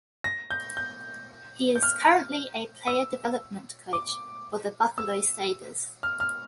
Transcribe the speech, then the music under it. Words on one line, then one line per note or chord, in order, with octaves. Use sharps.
He is currently a player development coach for the Buffalo Sabres.
A#6
G6
G6
G6
F6
E6
D6
E6
F6
F6